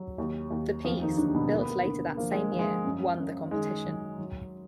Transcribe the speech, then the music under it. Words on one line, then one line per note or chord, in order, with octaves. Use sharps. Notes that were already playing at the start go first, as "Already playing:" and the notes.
The piece, built later that same year, won the competition.
Already playing: F#3
D#2
D#2
F2 F3 F4
D#3 D#4
D3 F#3 D4
B2 B3
D2 A#3
B3
A#3
D3
F3 A#3
G#3
F3
G#3
F#2
F#2
D#3 G#3
F#3
F#3